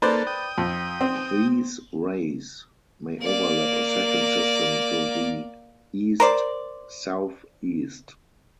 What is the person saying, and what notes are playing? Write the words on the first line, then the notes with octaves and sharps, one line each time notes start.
These rays may overlap a second system to the east-southeast.
A#3 A4 B4 C5 D5
G5 D#6
F2
C4
A#3 D5
A#4 C5 D5